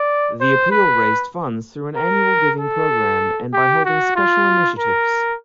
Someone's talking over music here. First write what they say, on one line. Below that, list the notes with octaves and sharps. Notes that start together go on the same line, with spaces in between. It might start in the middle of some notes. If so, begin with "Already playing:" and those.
The appeal raised funds through an annual giving program and by holding special initiatives.
Already playing: D5
C5
B4
A#4
A4
G4
F#4
F4
A#4